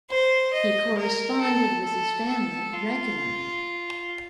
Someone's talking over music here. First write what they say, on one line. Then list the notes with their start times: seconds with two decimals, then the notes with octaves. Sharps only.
He corresponded with his family regularly.
0.10 C5
0.53 D#5
0.97 A#4
1.41 A4
1.85 A4
2.29 A4
2.72 F4